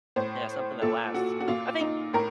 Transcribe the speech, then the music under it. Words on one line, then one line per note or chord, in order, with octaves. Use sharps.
Yeah, something that lasts. I think,
A2 C5
A#2 A4
F#4
F#4
A#2 F4
D#4
A2 A#4